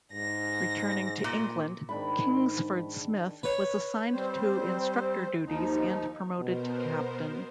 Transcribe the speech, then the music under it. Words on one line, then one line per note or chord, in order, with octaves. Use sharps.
Returning to England, Kingsford Smith was assigned to instructor duties and promoted to Captain.
G#2 A#6
A#2
G#2 D#3 D4 B5
B4 C#5
G3 C4 C5
D#2 F3 D#4
B2 B3 A#4 C5